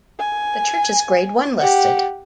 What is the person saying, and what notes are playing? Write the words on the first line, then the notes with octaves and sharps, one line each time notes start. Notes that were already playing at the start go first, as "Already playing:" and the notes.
The church is Grade One listed.
G#5
G4 F#5